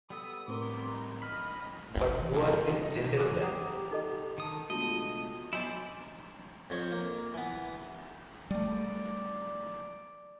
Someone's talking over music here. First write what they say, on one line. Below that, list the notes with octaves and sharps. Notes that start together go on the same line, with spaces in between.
But who are these gentlemen?
G3 B3 A4 D#6 E6
A2 C4 A#4 C6 D6
D#4
D#5 B5 F6
E3
G3
G3
A4
D#5
E2 D6 F#6
G4 F#5 A#5 D6 D#6
D#4 A4 D#5
D#3 A5 D#6 D#7
B2 G#3 A3 D4 F4 F#4 D#5 A5
F#3 B3 E4 C5 D5 D#5 G#5
F2 F3 C#5
A#3
E3 B3
G3 A3 D5